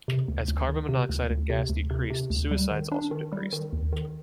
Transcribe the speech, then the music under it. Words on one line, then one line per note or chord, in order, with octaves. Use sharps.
As carbon monoxide in gas decreased, suicides also decreased.
C3
D2
D2
D#3
C3
D2
D2
C3
D2
C3
C3
D2
G3
D#3
D4
D#3
G3
D#3
D#2
D#3